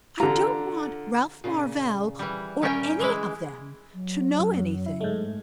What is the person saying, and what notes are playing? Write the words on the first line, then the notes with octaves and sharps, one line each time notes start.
I don't want Ralph Marvell--or any of them--to know anything.
D3 F4 A#5
A#2 C#3
E3 G3
A#2 G3 C#4 A#4 E5 G5
E3 G#3 E4
F#3
F#2
E4
G#2 G#3 A3